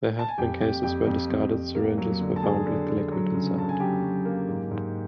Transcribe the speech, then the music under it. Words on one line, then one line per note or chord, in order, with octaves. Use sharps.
There have been cases where discarded syringes were found with liquid inside.
A5
G#5
F2 G4 G5
F2 G4 G5
F2 G4 G5
F2
F2
F2
A#3
F#3
D3
A5
D3 G#4 G#5
D3
D3
F#3
C#3
C#3 A5
G#5
F#3 G4 G5
F#3
A#3
G#2
G#2